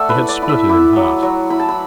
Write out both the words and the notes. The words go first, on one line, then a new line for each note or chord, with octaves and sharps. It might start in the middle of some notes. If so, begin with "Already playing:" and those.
He had split it in half.
Already playing: A3 D5 E5 F#5 A5
B4
E4
D5
E4
E5
E4 D6
F#3
F#3
E4 B5
A5
B5